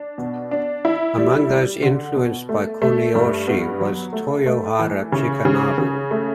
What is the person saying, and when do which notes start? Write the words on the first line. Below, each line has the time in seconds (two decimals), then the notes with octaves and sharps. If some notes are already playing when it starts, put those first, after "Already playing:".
Among those influenced by Kuniyoshi was Toyohara Chikanobu.
Already playing: D4
0.18 B2
0.51 D4
0.85 E4
1.18 G3
1.49 G3
1.82 D3
2.16 B2
2.49 A3
2.82 A3
3.15 G2
3.47 B3
3.81 F#3
4.13 A3
4.46 A3
4.79 E3
5.12 C#3
5.45 C#3
5.78 C#3
6.11 A3